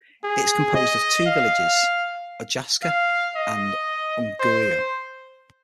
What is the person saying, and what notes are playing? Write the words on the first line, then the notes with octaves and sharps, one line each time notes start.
It is composed of two villages, Ojasca and Unguriu.
G#4
D#5
F5
F5
D#5
C5